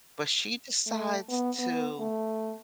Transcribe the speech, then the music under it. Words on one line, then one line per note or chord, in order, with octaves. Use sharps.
But she decides to
A3
B3
B3
A3